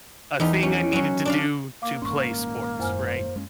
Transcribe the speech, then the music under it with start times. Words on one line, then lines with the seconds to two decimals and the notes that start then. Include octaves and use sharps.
a thing I needed to do to play sports, right?
0.40 E2 D#4 G4
0.63 C#4
0.93 F#3 C#4
1.25 D4 D5 F5
1.82 A#3 F5 D6
2.02 D#1 G#2 C#4 C6 C#6
2.80 F#2 C5 G#5 F6
3.36 G#3 C#4